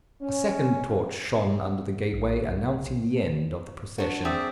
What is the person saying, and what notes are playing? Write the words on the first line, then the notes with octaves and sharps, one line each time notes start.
A second torch shone under the gateway, announcing the end of the procession.
C#4
A#1
B1
D4 F#4
C4 G#4 D5 E5